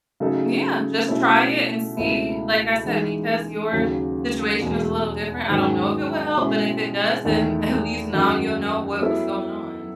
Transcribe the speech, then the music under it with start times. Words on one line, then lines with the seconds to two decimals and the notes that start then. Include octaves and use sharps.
Yeah, just try it and see. Like I said, because your situation is a little different, I don't know if it will help, but if it does, then, at least, now you'll know what was going on.
0.20 C#3 F#3 A3 D#4 A4
1.08 B2 A3 C#4 E4
1.97 C#2 B2 A3 E4
2.84 E3 G#3 D#4
3.72 D#2 C#3 F#3
4.61 E2 B2 G#3
5.49 G#2 D#3 F#3 C#4 G#4
6.36 B2 G#3 C#4 E4 G#4
7.25 E2 D#3 A3 D#4
8.13 F#2 D#3 G#3 D#4 F#4
9.01 F#3 B3 E4 A4 C#5